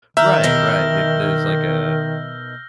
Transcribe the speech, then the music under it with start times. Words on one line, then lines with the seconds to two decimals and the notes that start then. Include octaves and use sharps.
Right, right. Y if there's like a
0.17 D#3 E5 A#5 E6 F6 G6
0.44 B2 D#4 A#4 A#6 G7